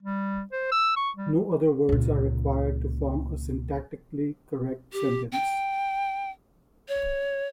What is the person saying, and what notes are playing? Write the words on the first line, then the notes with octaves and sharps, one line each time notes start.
No other words are required to form a syntactically correct sentence.
G3
C5
E6
C#6
G3
C#2 A#2
G4
G5
C#5